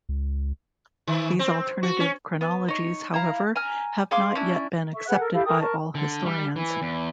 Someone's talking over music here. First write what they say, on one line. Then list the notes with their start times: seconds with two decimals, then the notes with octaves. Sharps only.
These alternative chronologies, however, have not yet been accepted by all historians.
0.09 C#2
1.07 D#3
1.39 C4
1.83 F#4
2.00 C#4
2.41 B3
2.68 D#4 C#5
3.14 E4 F5 A#5
3.56 G#5 A#5 F6
4.11 G#4 F5 C6 D6
4.35 C#4 D4 E4
4.94 A4 E5 C#6
5.07 G#4 B4 F#5 F#6
5.19 A4 A#4
5.32 E4 G4 A4 F5
5.44 A4 A#4 G5 D#6
5.60 A#4 A5 C#6
5.95 D3
6.25 G3
6.56 E3
6.82 E2